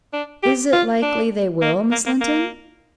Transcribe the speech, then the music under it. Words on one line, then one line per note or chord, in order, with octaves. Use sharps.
"Is it likely they will, Miss Linton?"
D4
G4
F4
D4
A#3
A#3
A#3
A#3